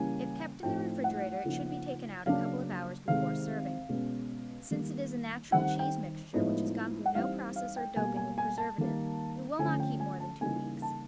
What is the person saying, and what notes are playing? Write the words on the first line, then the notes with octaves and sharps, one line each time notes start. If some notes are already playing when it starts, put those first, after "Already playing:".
If kept in the refrigerator, it should be taken out a couple of hours before serving. Since it is a natural cheese mixture, which has gone through no process or doping with preservative, it will not keep more than two weeks.
Already playing: C#3 E3 G3 A#3 C#4 G#5
A2 F3 A3 C4 D#4 G5
F#5
C#3 F3 A#3 D#4
C#3 F#3 A#3 D4 F5
C3 D#3 G#3 F5
B2 G#3 C#4
D#3 G3 A#3
D#3 G3 C4 F#5
G5
A2 F3 G#3 B3 D#4
F#5
E3 G3 C4 D#4 F5
F5
G5
B2 G3 A#3 G#5
G#5
G#5
A5
D#3 G3 A#3
D3 F3 A3 C#4 G#5
G5
G#5
A5
C#3 E3 G3 A#3 D#4 G#5
A5